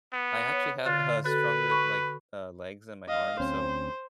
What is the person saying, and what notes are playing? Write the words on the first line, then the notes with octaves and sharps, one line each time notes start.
I actually have a stronger, like, uh, legs and my arms, so
B3
C#5
D3 F4 A6
F#4 A4 B4
B5 C#6
D#5 F5
D2 C4 C#4 C5